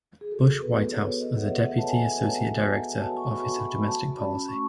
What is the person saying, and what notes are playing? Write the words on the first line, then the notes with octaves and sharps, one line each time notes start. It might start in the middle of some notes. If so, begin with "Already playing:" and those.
Bush White House as a Deputy Associate Director, Office of Domestic Policy.
G#4
F#4 A4
B3 B4
B3 C#5
B3 D#5
F#5
E5
B3
F#5
B3 A5
G#5
B3 G#5
F#4
F#4
F#4 A5
C#6
F#4 B5
F#4 B5
F#4 A5
C#4 B5
A3 C#6